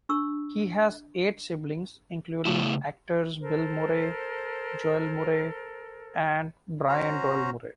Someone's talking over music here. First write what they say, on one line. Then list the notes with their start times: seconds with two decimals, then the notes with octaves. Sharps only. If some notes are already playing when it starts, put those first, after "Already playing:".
He has eight siblings, including actors Bill Murray, Joel Murray and Brian Doyle-Murray.
0.09 D4 C#6 E6
2.45 C#3 A3 E4
3.40 A4 A#4 C5
6.89 C#4 F#4 C5 A#5